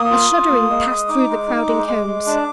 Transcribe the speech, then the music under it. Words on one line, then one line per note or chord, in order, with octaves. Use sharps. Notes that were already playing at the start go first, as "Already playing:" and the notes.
A shuddering passed through the crowding cones.
Already playing: A#3 D#6
F4
F4
A#3
G#3
G#3
D#4 D6
G#3
D#4
G#3
G#3
G#3
D4